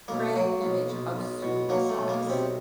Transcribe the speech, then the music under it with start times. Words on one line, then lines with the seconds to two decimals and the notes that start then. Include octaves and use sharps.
Create an image of suitable size.
0.08 B1 A#3
0.36 F#3
0.62 B1
0.89 B1
1.16 B1
1.42 B2
1.69 F#3 A#3
1.89 A3
1.96 B1
2.09 A#3
2.23 B1
2.30 C3 C4